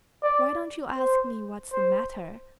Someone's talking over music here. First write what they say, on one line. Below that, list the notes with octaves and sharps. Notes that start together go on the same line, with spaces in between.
"Why don't you ask me what's the matter?"
D5
C5
C5